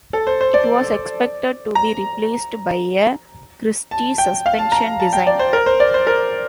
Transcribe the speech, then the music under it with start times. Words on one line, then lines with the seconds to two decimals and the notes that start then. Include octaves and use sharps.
It was expected to be replaced by a Christie suspension design.
0.13 A4
0.27 C5
0.41 C5
0.54 D5
1.75 A#5
3.91 A5
4.18 G5
4.46 F5
4.59 A5
4.72 A#5
5.00 A5
5.13 G5
5.27 D5
5.39 C5
5.53 A#4
5.66 C5
5.80 D5
5.94 C5
6.07 A#4